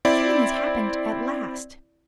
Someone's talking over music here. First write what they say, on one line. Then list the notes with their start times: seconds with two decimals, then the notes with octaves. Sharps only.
Something has happened at last.
0.05 C4 E4 D5